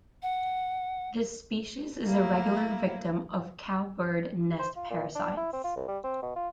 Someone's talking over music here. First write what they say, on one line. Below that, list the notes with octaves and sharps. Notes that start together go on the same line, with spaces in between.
This species is a regular victim of cowbird nest parasites.
F#5
F#3 A3 A#3 E4
C5
F4
A#2
D4
E4
C4
F4
C2
G3
C4
B2
F4